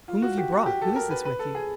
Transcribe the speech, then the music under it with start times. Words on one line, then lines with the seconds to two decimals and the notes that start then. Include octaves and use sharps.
Whom have you brought? Who is this with you?
0.08 F4
0.22 F#4
0.38 G4
0.52 F#4
0.66 G4
0.82 A4
0.96 A#4
1.11 B4
1.25 B4
1.39 A4
1.55 G#4